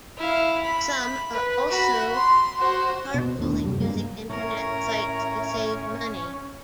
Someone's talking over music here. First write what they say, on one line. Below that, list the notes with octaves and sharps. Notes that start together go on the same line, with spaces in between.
Some are also carpooling using Internet sites to save money.
E4 F5
B5
B4
F#4 B5
C6
F#4 C5
B2
D#2 A2 D4
F#2 C3 G3
G2 A#3
A2 C#4 A#4 E5